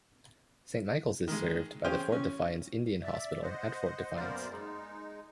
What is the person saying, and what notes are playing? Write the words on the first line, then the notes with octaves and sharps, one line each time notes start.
Saint Michaels is served by the Fort Defiance Indian Hospital at Fort Defiance.
D#3 G#3
C#4 G4 G#4 C5 F5 G5
C#4
D5 E5
C5 D#5 F#5
F#2 A#3 B3 A#4 C5 D5
G#3 D#4